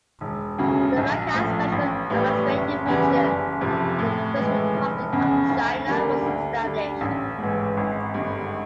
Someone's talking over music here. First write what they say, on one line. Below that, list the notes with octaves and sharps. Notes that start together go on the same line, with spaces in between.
The Macau Special Administrative Region of the People's Republic of China was established.
E1
D2 C#3 F#3
A#1
A2 F3
A1
A2 E3 G3
F#1
E2 C#3 E3 G3
F#1
F2 C3 F3
A2
E3 G#3
F1
E2 C#3
D2
D3 G3 A#3
D2
D3 G3
A1
G#2
E3
G#1
G2 D3